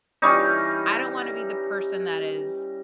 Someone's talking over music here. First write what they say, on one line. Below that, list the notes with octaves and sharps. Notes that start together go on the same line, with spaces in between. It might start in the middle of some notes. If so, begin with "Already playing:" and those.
I don't wanna be the person that is
E3 G3 C#4 D#4